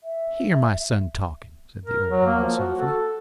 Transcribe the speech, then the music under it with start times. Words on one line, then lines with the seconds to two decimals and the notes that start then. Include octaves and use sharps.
"Hear my son talkin'," said the old woman softly.
0.03 E5
1.85 A#4
2.09 F#3
2.26 A#3
2.40 F3
2.57 F#4
2.80 A4